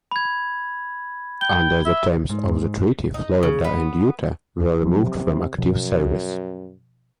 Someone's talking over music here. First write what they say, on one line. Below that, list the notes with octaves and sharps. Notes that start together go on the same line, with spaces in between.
Under the terms of the treaty, "Florida" and "Utah" were removed from active service.
B5 G#6
G5 G7
E5
G#2
D#4
C#3
B3
C3 F3 F#3
F#2 B2 F3